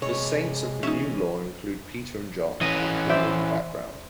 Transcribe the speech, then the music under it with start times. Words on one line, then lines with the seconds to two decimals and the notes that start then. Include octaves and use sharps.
The saints of the New Law include Peter and John, with Paul in background.
0.02 C3 G#3 B4 C#5
0.83 E3 C#4 D#4 E5
2.61 E3 C#4 D#5 D#7
3.09 C5 D5 E5